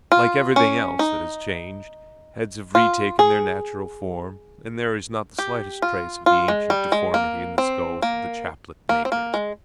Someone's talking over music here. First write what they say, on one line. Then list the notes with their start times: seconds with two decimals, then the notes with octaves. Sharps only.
Like everything else, that has changed; heads have re-taken their natural form, and there is not the slightest trace of the ancient deformity in the skulls of the chaplet-makers.
0.12 F4
0.56 C#4
0.99 D#4
2.75 F4
3.19 G#4
5.39 G4
5.82 F4
6.26 F4
6.48 G#3
6.70 G3
6.92 G#3
7.14 A#3
7.58 C4
8.02 A#3
8.89 A#3
9.05 C4
9.12 A#3
9.34 G#3